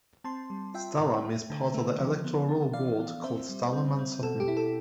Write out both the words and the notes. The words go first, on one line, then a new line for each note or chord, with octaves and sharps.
Stalham is part of the electoral ward called Stalham and Sutton.
C4 A5 C6
G3
F4 E5 G5
A2
A3
D3
A3
F3
B3
D4
E3 D5 F5
B3
C4 C5 E5
G3
C4
C4
B2 A4
G4
E4
A4